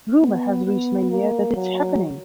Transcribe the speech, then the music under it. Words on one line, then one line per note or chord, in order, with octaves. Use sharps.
Rumor has reached my ear that it's happening.
B3
B3
A#3
F#3